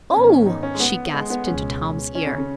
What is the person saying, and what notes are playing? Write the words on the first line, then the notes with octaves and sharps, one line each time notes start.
"Oh!" she gasped into Tom's ear.
G#2 D#3 B3 C#4
D#4
C#4
G#3
B3
G#3
B3
C#2 B2 G#3 C#4
C#4
C#3
C#3